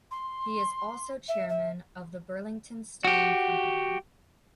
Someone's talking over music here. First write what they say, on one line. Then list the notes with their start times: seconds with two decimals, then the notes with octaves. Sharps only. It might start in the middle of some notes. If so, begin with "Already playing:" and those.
He is also chairman of the Burlington Stone Company.
0.11 C6
1.28 E5
1.49 E5
3.05 F#4 G4